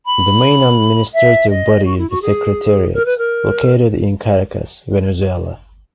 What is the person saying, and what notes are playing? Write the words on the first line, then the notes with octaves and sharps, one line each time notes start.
The main administrative body is the secretariat, located in Caracas, Venezuela.
B5
E5
D#5
F#4
E4
F#4
G#4
A#4
B4
A#4